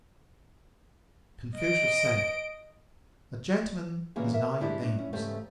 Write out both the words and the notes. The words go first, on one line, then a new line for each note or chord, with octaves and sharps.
Confucius said, A gentleman has nine aims.
D#5 D7
A#2 C#3 E3 A#3 F#4 G#4
A#4 E5
G#2 D4 E4 G4 G#4 D5
A2 D4
C#4
E2 G#2 C#3 A3 G4 C5